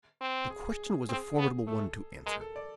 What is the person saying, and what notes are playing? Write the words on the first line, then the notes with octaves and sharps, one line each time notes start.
The question was a formidable one to answer.
C4
G#4
G#4
C4 G#4
B3
A3 A4
G#3 A#4
A4
D5